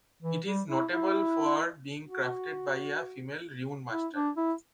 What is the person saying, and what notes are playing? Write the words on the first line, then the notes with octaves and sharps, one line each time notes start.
It is notable for being crafted by a female runemaster.
E3
G3
E4
E4
F#4
E4
D4
E4